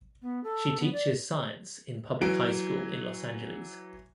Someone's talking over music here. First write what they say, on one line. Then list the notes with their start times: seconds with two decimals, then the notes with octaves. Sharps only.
She teaches science in public high school in Los Angeles.
0.22 B3
0.44 A4
0.80 B3
0.93 D5
2.21 E3 F#3 D7